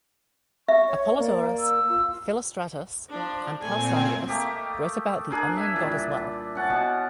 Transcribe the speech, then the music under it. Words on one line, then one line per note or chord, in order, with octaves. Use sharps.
Apollodorus, Philostratus and Pausanias wrote about the Unknown God as well.
E5 C#6
C#5
A#3 D5
E6
F4
F3 D4
A#2 A3 C4 G#5
A3 A#3 G4 D#5
D4 G#4 A#4
E5 G#5
A#2 E3 G3
C#4 F#5 A5
B2